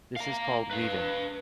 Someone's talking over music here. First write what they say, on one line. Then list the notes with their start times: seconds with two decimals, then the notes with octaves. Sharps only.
This is called Weaving.
0.16 F5 A#5
0.71 B4 F5